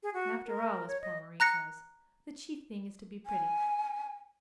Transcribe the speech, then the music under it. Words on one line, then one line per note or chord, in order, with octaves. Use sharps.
After all, as poor Marie says, the chief thing is to be pretty.
G#4
F#4
A#4
C#5
D#5
A#5 F#6 A#6 C#7
G#5